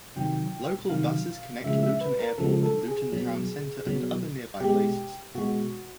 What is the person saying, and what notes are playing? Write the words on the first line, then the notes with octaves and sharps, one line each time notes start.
Local buses connect Luton Airport with Luton town centre and other nearby places.
C3 D#3 F#3 G5
C3 D#3 F#3 F5
C#3 F3 G#3 E5
E5
B4
A#4
C#3 F3 G#3 A4
A4
G#4
B2 F#3
B2 F#3
B2 G#3 G4
B2 G#3 F#4